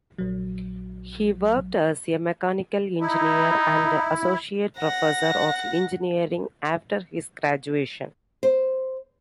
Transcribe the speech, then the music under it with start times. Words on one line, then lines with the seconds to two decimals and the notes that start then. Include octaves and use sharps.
He worked as a mechanical engineer and associate professor of engineering after his graduation.
0.18 A#1 F#3
3.01 D#4 E4
4.79 F#5 A#6
8.43 C5